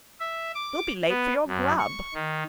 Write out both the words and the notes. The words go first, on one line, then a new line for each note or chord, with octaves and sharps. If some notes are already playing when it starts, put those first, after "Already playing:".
You'll be late for your grub!'
E5
D6
B3
F#2
C#6
D#3